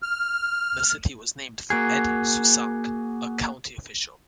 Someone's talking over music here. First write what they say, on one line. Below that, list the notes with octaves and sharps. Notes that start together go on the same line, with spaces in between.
The city was named for Ed Susank, a county official.
F6
A#3 F#4 G#4